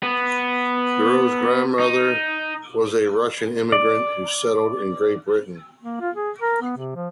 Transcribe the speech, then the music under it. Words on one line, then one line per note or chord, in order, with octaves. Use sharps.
Keogh's grandmother was a Russian immigrant who settled in Great Britain.
B3
D#4
D5
A#3
F4
G#4
A#4
B3
C3
F3